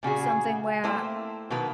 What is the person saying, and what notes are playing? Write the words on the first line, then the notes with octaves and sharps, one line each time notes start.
something where
A#2 C#3 F#4 G#4
A3 A#3 E4 C5 G5
B2 D#3 F#3 A#3 B4